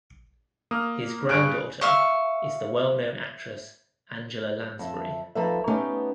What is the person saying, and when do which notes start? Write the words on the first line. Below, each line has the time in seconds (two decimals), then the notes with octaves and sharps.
His granddaughter is the well-known actress Angela Lansbury.
0.71 A#3 D#6 F6
1.29 G2 G#4 C#6 F#6 D7
1.81 E5 F5 C#6
4.79 F2 E5
5.35 F2 F3 D#4 A4 B4 E5
5.67 A3 B3 C#4 D#4 G4